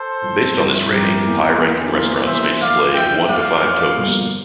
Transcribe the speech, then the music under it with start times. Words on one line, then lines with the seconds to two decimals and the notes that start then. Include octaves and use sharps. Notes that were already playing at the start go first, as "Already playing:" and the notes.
Based on this rating, high-ranking restaurants may display one to five toques.
Already playing: A4 C5
0.22 G2 F3 C4 E4
0.56 G2 F3 C4 E4
0.89 G2 F3 C4 E4 G4 A#4
1.24 E2 E3 A#3
1.58 E2 E3 A#3
1.92 E2 E3 A#3 F4
2.26 E2 E3 A#3 C5 E5
2.60 F2 E3 A#3 E4 D5 F5
2.94 F2 E3 A#3 E4 E5 G5
3.28 F2 E3 A#3 E4 D5 F5
3.62 F2 E3 A#3 E4
3.97 G1 G2 D3 F3 A#3